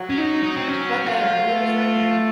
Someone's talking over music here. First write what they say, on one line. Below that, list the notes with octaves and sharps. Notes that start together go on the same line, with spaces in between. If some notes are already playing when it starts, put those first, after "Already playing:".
But they are really frightening.
Already playing: F#3
C#4
D#4
D#4
C4
C#4
F4
A3